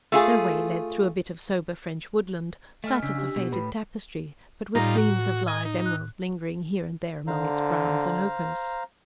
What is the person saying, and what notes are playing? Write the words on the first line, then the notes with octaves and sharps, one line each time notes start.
Their way led through a bit of sober French woodland, flat as a faded tapestry, but with gleams of live emerald lingering here and there among its browns and ochres.
A3 F4 G#4
A3 D#5 G#5 F6
C#3 D4 E6 B6
G4
B2
A2 B4 B5
A2 G3 D#4 F4 A#5 A#6
F#4
D#5 G#5
D#4
F#6
D3 C5 F5 A#5